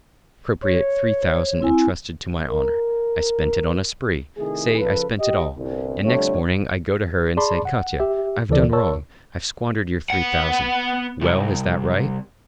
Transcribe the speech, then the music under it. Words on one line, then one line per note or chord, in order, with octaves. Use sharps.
I appropriate three thousand entrusted to my honor, I spend it on a spree, say I spend it all, and next morning I go to her and say, 'Katya, I've done wrong, I've squandered your three thousand,' well, is that right?
C#5
C5
C4 E4 G#5
A#4
C3 D#3 A3 E4 G#4
C#3 F3 A4 B4
G4 D#5
G1 C2
F2 D3 G3 A3 D4 C#5
G#4 D5 A5 B5 C6 D6
F#5
G4 E5
D2 C#3 E3 A4 D5
A#4 C#5 A5 C#6 E6
B3 F#5
C2